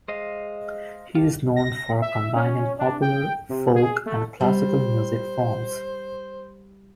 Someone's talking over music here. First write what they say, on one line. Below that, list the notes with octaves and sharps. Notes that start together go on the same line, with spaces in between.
He is known for combining popular, folk, and classical music forms.
G#3 C5 D#5 F5
F4 G4 A5
A#6
E5
C#4
D4
G5
C3
G#4
A3
G3 C5